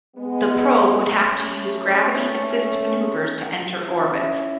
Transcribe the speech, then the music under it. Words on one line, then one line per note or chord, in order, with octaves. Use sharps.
The probe would have to use gravity assist maneuvers to enter orbit.
G#3 B3
A3 C#4
C#4 E4